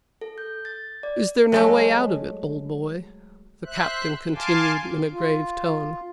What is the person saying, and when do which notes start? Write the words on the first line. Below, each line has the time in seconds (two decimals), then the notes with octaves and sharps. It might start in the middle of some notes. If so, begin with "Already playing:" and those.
"Is there no way out of it, old boy?" the Captain continued in a grave tone.
0.21 A4
0.38 G6
0.65 A6
1.03 D5
1.52 F#3 G#3 A3
3.65 C5 E5 F#6
4.35 F5 G#5 A5 C6 D6
5.13 F4